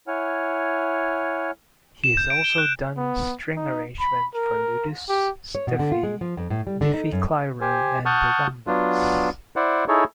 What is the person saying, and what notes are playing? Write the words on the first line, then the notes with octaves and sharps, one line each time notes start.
He has also done string arrangements for Ludus, Stefy, Biffy Clyro and The Wombats.
E4 C#5 F#5 G#5 F6
E7
G6
D7
G7
F#6
B3
D#4
B5
A#4
G4
C#5
B2
D3
F4
G#3
F3
F2
A2
G3
D3
D#4
F#2
G4 C5 G#5
F#5 A5 C#6 D#6 F6 G6
F#3 B3 D4 F4
E4 C5 D5 F#5
D#4 E4 G#4 A4 C#5